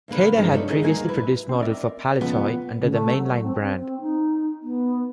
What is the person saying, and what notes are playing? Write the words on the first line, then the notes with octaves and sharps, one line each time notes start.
Kader had previously produced models for Palitoy under the 'Mainline' brand.
D2 A#2 A#3 B4
G2 C3 D#3 F3 G#3
D#4 A4 A#4 C#5 D5 E5
E3 D#4 F#4 G#4 A#4 D#5
D#2 G#2 F#3 A#3 F#4 G#5
E4 B4
C4
A#4 D5 E5
F2 A#2 C#3 B3
C#3
A3
F#3
C4
C4
D#4
B3